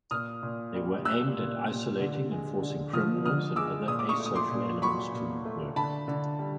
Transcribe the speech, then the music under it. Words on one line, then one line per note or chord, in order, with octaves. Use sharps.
They were aimed at isolating and forcing criminals and other asocial elements to work.
A#2 D#6 F6
A#2
G3
G3 E6 F#6
A#2
A#2
D3
G#3
D3
F3 D#6 F6
D3 D#6 F6
G#3 D6 E6
A#2 D#6
D6
C#6 D#6
A3
D#6
C6 D6
A#2
F#3 B5 C#6
A#2
A3
D3 A5 B5
D3
G3